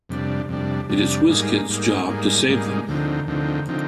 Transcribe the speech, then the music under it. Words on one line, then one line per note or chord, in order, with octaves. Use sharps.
It is Wizkid's job to save them.
F2 C3 G3 D4
F2 C3 G3 D4
F2 C3 G3 D4
G#2 G3 A#3 D#4 G#4
G#2 G3 A#3 D#4 G#4
G#2 G3 A#3 D#4 G#4
G#2 G3 A#3 D#4 G#4
D2 D3 F3 C4 D#4
D2 D3 F3 C4 D#4
D3 F3 C4 D#4